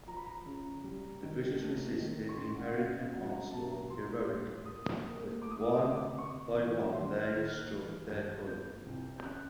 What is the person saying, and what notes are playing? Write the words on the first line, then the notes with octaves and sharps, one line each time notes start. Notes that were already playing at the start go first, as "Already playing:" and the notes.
The British resisted the American onslaught heroically, but-one by one-they struck their colors.
F3 A#5
B5
A#5
C#3
G3
D#3
A3
D#3
C#6
C#3 C6
F#5
C#3 F5
F5
F#3 F#5
A#5
B2 A5
A#5
F3 C6
A2
A#3 D#6
A#3
A3 D6
D#6
D6
D#6
D6
D3 D#6
D6
C3 C#6
E3
D#3 C6
F6
D#3 F6
F#6
E3
G2
F3 G6
C2
G6
C#3 F#6